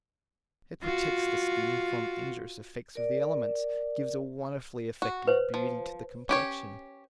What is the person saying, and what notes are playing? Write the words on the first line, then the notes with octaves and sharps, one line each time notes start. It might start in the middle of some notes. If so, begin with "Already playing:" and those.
It protects the skin from injurious effects of the elements, gives a wonderfully effective beauty to the complexion.
F4 F#4
A#4 D5
F#4
B4 C5
F3
C#4 G4 C#5